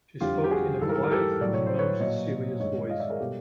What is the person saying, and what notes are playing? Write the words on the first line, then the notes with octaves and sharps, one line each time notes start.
She spoke in a quiet and most serious voice.
F2 D3 G3 F4 G4
G4
F#4 G#4
G#2 E3 G3 A4
A#4
A4
A#4
G4 A4
A2 F#3 D5
C#5
C5
B4 C#5
A#2 F#3 C#5 D#5
G2 D#3 G#3 C#5 D#5
D#5 F5
D5 E5
G#4 A#4
B2 G3 G4 A4